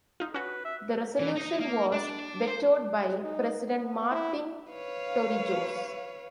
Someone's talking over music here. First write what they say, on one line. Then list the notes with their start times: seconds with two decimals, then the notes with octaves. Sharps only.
The resolution was vetoed by President Martin Torrijos.
0.20 D#4 F4
0.34 C#4 F#4 B4
0.65 E5
1.19 E3
1.36 D#4
1.60 A#3
1.92 D4
2.47 C5
3.24 D#4
3.67 B3
4.11 E4
4.72 B4 C#5 F5